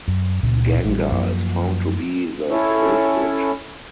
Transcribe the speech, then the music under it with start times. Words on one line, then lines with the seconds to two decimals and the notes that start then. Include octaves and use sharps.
Ganga is found to be the culprit.
0.08 F#2
0.43 C#2 A#2 C#3
0.85 A1 G3
1.12 F#2 F3 A#3
2.50 C#4 E4 A4 C#5